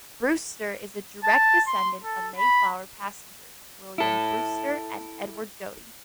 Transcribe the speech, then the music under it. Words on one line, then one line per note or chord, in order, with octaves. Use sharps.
Brewster is a direct descendant of Mayflower passengers William Brewster and Edward Doty.
A5
C6
A4
B5
E4 A4